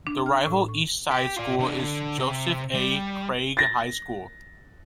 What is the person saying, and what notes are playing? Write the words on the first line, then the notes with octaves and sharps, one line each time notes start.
The rival east side school is Joseph A. Craig High School.
D4
F6
A2
C#6
G4
F4 D5
C3 D4
D3 D4
C3
G3
A6 A#6